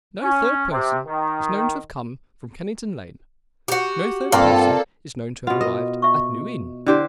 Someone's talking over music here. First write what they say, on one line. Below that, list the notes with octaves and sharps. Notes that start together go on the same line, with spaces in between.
No third person is known to have come from Kennington Lane; no third person is known to have arrived at New Inn.
C#4
C3
D#3
F#4 G4
G2 A#3 C4 F4 A4 D5 F5 F#5
B2 F4 F#5
A#4 D#5
E5 C#6
D3 E4 G4 C5 D5